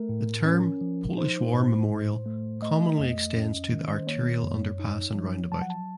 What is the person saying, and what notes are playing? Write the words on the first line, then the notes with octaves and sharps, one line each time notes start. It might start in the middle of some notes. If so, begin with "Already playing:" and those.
The term "Polish War Memorial" commonly extends to the arterial underpass and roundabout.
Already playing: A3 A#4
A2
C#4
F3
D#4 C5
A2
A2
A3
A3 D#5
F2 D#5
C#4
D#3
C5
A#3 C#5
F#2
D#4
F3
F#3 A5
F#5
A5